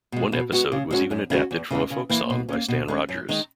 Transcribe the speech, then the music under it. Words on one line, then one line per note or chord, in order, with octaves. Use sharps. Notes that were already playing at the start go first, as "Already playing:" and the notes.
One episode was even adapted from a folk song by Stan Rogers.
B2 G#3
B2
G#3 B3 F#4
C#3
G#3 C#4 F#4
F#2
C#3 G#3 C#4 F#4
E2
C#3 E3 G#3
C#3
E3 A#3 E4
B2
A#3 C#4
B2
G#3 C#4
F#2
D#3 G#3 D#4